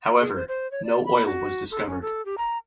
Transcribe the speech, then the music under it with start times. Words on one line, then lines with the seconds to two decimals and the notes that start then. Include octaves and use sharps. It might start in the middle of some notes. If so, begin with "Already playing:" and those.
However, no oil was discovered.
0.20 G#4
0.36 C5
0.48 C5
0.71 C#5
0.84 D5
1.06 B5
1.26 F#4
1.71 A4
1.87 C#4
2.02 A4
2.25 G4
2.38 A#5